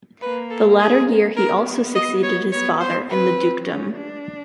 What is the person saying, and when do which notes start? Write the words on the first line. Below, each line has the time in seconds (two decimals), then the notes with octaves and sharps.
The latter year he also succeeded his father in the dukedom.
0.22 A#3 B4
0.51 A4
0.80 G#4
1.37 B3 A#4
1.95 D#5
2.23 C#5
2.52 B3 C#5
2.80 C5
3.10 C4 B4
3.67 C#4
3.96 D4